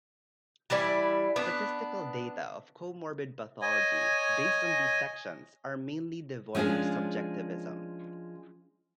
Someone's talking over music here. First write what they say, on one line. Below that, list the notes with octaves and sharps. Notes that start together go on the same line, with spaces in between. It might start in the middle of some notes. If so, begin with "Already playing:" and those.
Statistical data of comorbid pathology, based on these sections, are mainly devoid of subjectivism.
E3 G3 E4 D5
B3 D4
C#5 D#5 G#5
F3 G#3 C#4 D4 G#4